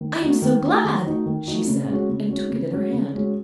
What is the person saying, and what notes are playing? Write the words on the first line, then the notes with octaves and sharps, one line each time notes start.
"I am so glad!" she said, and took it in her hand.
D#3
A3 D#4 F#4
D#3
A3 D#4 F#4
D#3
A3 D#4 F#4
D#3
A3 D#4 F#4
C#3
G#3 C#4 F#4
C#3
G#3 C#4 F#4
C#3
G#3 C#4 F#4
C#3
G#3 C#4 F#4